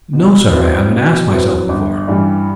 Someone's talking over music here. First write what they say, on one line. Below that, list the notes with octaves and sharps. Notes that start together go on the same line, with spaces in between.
"No, sir, I haven't asked myself before."
B2
F#3 C4 E4 B4
B2
F#3 C4 E4 B4
G1
G2 E3 G3